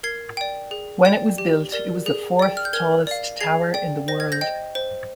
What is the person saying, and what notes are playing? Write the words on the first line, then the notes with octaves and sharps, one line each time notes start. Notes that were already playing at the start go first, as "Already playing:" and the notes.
When it was built, it was the fourth-tallest tower in the world.
A#4 G#6 C7
D5 G5
G#4
D5 G5
G4
A#4 D5
G#4
D5 G5
F6
G6
A#4 F6 G#6
D5 F5
G#4 G#6 C7
D5 G5
C5 A#6
G#6
G6 A#6
D#5 G5
C5